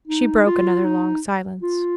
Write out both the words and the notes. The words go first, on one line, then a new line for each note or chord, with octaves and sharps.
She broke another long silence.
D#4
F4
D#4
F4